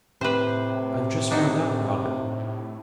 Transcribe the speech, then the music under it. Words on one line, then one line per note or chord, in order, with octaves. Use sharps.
I have just found out about it.
A2 C3 B4 C5
D4 D#4 F#4